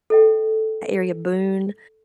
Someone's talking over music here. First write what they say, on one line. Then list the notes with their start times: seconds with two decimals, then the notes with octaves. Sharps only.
area, Boone,
0.10 A4 D#5 G5